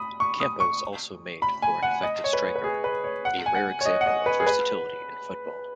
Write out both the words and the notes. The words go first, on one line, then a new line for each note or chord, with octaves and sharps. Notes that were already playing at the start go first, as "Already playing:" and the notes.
Campos also made for an effective striker, a rare example of versatility in football.
Already playing: B5 D#6
C#6
D#6
C#6
B5
G#5
F#5
D#5
C#5
B4
B4
G#4
B4
C#5
F#5
G#5
F#5
C#5
D#5
F#5
D#5
B4
G#4
B4